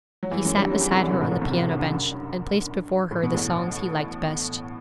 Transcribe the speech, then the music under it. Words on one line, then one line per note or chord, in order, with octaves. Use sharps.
He sat beside her on the piano-bench, and placed before her the songs he liked best.
F#3
E2 E3
F#2 F#3
G2 G3
F#2 F#3
E2 E3
C2 C3
D2 D3
C2 C3
A1 A2
A1 A2
B1 B2
C2 C3
D2 D3
F#2
G2
A2
B2
A1 A2